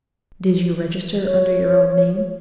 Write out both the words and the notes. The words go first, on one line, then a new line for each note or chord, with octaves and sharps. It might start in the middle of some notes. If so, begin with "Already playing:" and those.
"Did you register under your own name?"
C#5